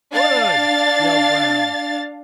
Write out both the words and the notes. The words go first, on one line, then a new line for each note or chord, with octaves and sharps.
"Wood!" yelled Brown.
D4 F5 A6